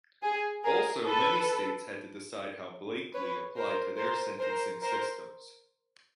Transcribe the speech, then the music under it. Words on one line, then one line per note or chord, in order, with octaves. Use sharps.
Also, many states had to decide how "Blakely" applied to their sentencing systems.
G#4
G#4 A#4
A4 B4
B4 C#5
A#4 C5
A#4 C5
A#4 C5
A#4 C5